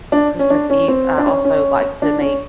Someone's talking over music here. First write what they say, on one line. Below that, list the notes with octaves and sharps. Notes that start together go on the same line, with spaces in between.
Christmas Eve, I also like to make,
D4
C#4
D4
C#4
C4
D4
C#4
C#4
D4
C#4